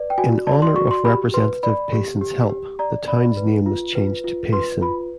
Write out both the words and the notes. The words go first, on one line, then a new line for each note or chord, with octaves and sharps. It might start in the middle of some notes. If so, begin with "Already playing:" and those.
In honor of Representative Payson's help, the town's name was changed to "Payson".
Already playing: B4 D5
G5
F#4 G#5
D5 A5
C6
F#4 C#6
C6
G4 B5
B4 C6
D5 B5
G4
G4
G4
D5 A#5
D5 B5
B4
F4
B4
F4
B4 C6
F4 B5